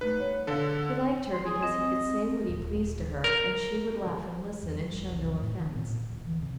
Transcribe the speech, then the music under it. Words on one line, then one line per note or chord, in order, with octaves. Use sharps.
He liked her because he could say what he pleased to her, and she would laugh and listen, and show no offence.
G3 A3 D#4 B4
B3 C#5
B2 D3 A4 F5 A5
G#4
C6
G#4
C4 D#5
D#1
A#4
E2
G3
F1
C2
F2
A2
D#3
A#2
A#2
D1
E3
C3